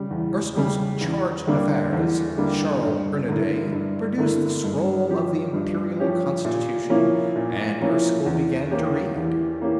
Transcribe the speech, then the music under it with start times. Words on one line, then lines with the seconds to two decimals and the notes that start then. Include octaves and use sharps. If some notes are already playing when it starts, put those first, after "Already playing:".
Erskyll's charge-d'affaires, Sharll Ernanday, produced the scroll of the Imperial Constitution, and Erskyll began to read.
Already playing: C#3 G3
0.10 E2
0.56 C#3 G3
1.01 E2
1.47 D3 G3 A#3 D4
1.92 E2
2.37 D3 G3 A#3 D4
2.82 G2
3.28 D3 A3 E4 A#4
3.72 G2
4.18 D3 A3 E4 A#4
4.64 G2
5.09 F3 C#4 G4
5.53 G2
6.00 F3 C#4 G4
6.45 A#2
6.89 F3 A#3 C#4 E4
7.36 A#2
7.81 F3 A#3 C#4 E4
8.26 E2
8.71 E3 A#3 C#4 G4
9.16 E2
9.61 E3 A#3 C#4 G4